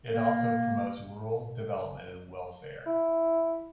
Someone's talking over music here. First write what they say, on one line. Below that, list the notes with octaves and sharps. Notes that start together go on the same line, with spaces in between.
It also promotes rural development and welfare.
A#3
E4